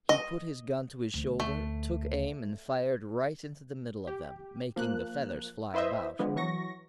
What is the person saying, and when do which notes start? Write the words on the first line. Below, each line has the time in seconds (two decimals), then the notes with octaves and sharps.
He put his gun to his shoulder, took aim and fired right into the middle of them, making the feathers fly about.
0.09 D#5
1.14 D2
1.40 A3
4.07 G4
4.76 F3 A#3 F#6
5.74 E4 B4 C5 D#5 E5
6.19 D3 F3 G#3 B3
6.36 E3 F#3 C#6 A#6